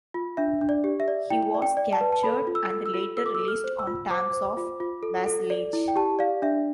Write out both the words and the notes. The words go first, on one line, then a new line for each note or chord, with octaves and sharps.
He was captured and later released on terms of vassalage.
F4
D4 E5
D4
D5
G4
E5
D5
E4 G5
D5
G5
D5
A5
B4
A5
A4 B5
F4
E6
A4
E6
F4
A4 E6
D6
E6
A4
F6
C5
E6
F4
C5 D6
C5
F4
F4
A4
A4
D5
E4
G5
G4 A5
D5 F5
D4 E5